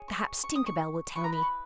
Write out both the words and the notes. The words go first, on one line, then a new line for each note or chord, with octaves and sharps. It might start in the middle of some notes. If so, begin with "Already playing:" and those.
'Perhaps Tinker Bell will tell me.'
Already playing: G#4 C#5
C#6
C#6
D#6
C#6
E4 B4 D#5 C#6
A#5
B5
C#6